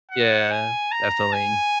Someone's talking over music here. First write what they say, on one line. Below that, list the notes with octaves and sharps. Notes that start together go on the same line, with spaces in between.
Yeah, definitely.
F#5
G#5
A#5
G#5